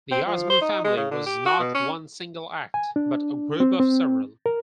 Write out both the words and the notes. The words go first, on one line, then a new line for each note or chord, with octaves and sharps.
The Osmond family was not one single act, but a group of several.
C4
F3
C5
D#4
G#3
C#3
D3
G4
F#4
B2
C#4
G#5
D4
C4
C4
A#4